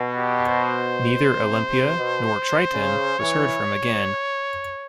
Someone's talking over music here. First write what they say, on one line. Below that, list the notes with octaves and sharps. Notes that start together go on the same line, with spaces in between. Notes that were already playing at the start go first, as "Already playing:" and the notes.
Neither "Olimpia" nor "Triton" was heard from again.
Already playing: B2
G4
C5
C3
C3
B2
C#3
E3 C#5